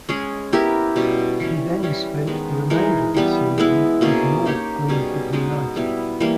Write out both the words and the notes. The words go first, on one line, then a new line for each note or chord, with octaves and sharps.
He then spent the remainder of the season with North Greenford United.
G#3 C#4 G#4
B3 E4 G4 A#4
B2 G3 C#4
E3 G3 C#4
E3 G3 C#4
D#3 G#3 B3
E3 G#3 D#4 A#4
E3 G3 B3
G#3 B3 E4
B2 A#3 C#4 G#4
A#3 D#4 G4 C#5
B2 G3 C#4 G#4
B2 G#3 B3 D#4
G3 B3 E4
E3 G3 A#3